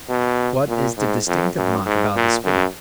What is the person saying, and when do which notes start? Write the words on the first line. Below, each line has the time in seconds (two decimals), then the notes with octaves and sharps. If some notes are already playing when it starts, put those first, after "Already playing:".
What is the distinctive mark about this figure?
0.09 B2
0.68 A#2
0.98 G#2
1.27 F2
1.56 F#2
1.86 G#2
2.15 A#2
2.44 F#2